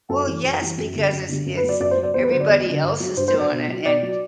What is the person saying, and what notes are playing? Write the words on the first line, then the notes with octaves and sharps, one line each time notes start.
Well, yes, because it's it's everybody else is doing it and,
F#2 A4
E3 G3
F#2
E3 G3
F#2
D3 G3
F#2
D3 G3
F#2
B4
F#3
D5
F#2 D5
C5
F#3
D5
E2 C5
B4
D3 F#3 C5
D5
E2
D3 F#3
G2
F#3
G2 C5
C5
F#3
D5
B2
F#3
B2 D5
F#3